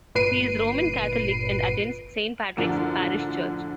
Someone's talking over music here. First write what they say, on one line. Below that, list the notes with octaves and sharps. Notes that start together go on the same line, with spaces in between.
He is Roman Catholic and attends Saint Patrick's Parish Church.
G1 A#2 B4 C7 D7 D#7
F#2 A2 D3 F3